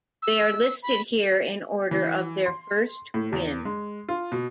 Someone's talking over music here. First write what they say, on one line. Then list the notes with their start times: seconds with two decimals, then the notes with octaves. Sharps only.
They are listed here in order of their first win.
0.22 E6
0.83 B5
1.91 E3
2.46 C6
3.14 A2
3.32 E2
3.65 G#3
4.09 F4
4.32 B2